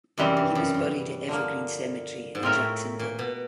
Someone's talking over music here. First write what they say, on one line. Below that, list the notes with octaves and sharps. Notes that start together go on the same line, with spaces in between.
He was buried at Evergreen Cemetery in Jacksonville.
F#2 C3 E3 G3 C4
G2
F#2
G2
D3 F3 A#3
G#2
A2 C4 F4 A#4 C#5 E5
A#2
B2